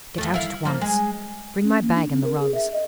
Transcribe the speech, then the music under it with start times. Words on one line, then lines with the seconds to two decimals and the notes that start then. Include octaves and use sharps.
Get out at once! Bring my bag and the rugs!
0.18 F2 A3
0.34 E4 F5
0.65 F3 A#3
0.81 G#3
1.64 C#4
1.82 A#3
1.95 D4
2.12 C4
2.24 A#4
2.40 G#4
2.54 E5
2.73 D#5